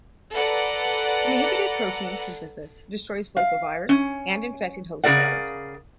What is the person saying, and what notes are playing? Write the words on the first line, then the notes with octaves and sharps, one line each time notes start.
Inhibited protein synthesis destroys both the virus and infected host cells.
A4 B4 D5 F#5 A#5
F5
C#4
C#3 G#4 A#4 D5 F#5